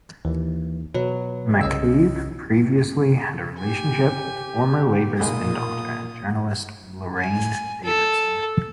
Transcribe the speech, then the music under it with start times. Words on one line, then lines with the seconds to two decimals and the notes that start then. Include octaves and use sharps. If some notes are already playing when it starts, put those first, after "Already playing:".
McCabe previously had a relationship with former Labour spin-doctor and journalist Lorraine Davidson.
0.25 D#2 E3
0.95 B2 F#3 B4
1.61 C2 C#3 D#5 E6
3.59 G4 G#5
5.20 B1 A#2 G#3 A#3 F4 D#6
7.19 G#5
7.83 A4